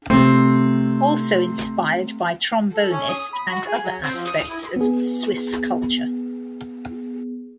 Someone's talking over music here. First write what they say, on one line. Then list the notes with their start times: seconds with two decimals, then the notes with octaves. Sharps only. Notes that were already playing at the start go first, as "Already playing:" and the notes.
Also inspired by trombonist and other aspects of Swiss culture.
0.10 C3 A3 C4
2.74 A4
2.91 C#4
3.09 D#6
3.33 B5
3.48 F#4
3.66 G#4
3.84 F#3
4.01 C4
4.14 F3
4.26 D#6
4.49 E4
4.76 B3 G#4